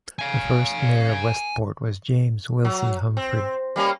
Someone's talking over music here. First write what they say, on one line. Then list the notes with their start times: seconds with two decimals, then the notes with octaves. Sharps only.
The first mayor of Westport was James Wilson Humphrey.
0.19 F5 G#5
2.65 F#3
3.17 C4
3.76 G3 A#3 C#4